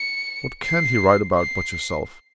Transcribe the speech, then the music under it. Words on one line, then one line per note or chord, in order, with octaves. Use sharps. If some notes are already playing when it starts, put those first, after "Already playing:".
What can he write about, but yourself?
Already playing: C#7
C7
C7